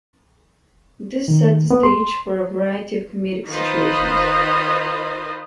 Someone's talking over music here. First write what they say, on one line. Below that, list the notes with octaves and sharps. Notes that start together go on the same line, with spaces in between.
This set the stage for a variety of comedic situations.
D#3
B3
C6
D#3 F4 B4 C5 D#5